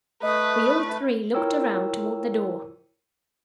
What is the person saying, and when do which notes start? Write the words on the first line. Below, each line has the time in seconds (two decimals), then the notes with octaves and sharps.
We all three looked around toward the door.
0.23 A3 B4 D#5 D#6
1.35 E4 F4 A#4 C#5 G5 E6